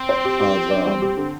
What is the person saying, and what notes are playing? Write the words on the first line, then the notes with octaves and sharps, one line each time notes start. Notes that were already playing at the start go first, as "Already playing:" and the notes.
of, um,
Already playing: C4
C5
G4
G4
G4
D4
G3
G4
D3